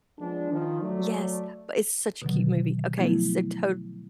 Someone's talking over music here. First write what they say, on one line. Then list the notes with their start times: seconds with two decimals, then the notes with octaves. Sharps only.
Yes. But it's such a cute movie. Okay, so totally.
0.19 F3 G#3 B3 D4
0.53 D#3 F3
0.82 F#3 A3 D5
2.22 B2 D3 D#3 F#3
2.98 F3 F#3 A3 B3 E4